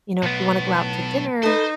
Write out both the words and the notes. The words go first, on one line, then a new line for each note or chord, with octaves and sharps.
"You know, if you wanna go out to dinner"
B1 A2 B3
A5
D#4 A4 B4 C5